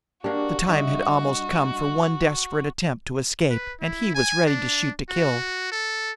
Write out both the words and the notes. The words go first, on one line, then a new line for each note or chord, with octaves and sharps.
The time had almost come for one desperate attempt to escape, and he was ready to shoot to kill.
A#3 D4 F#4 G4 D5
G3 D4 D#5 E5
B4
E4
G#5
D4
F#4
A4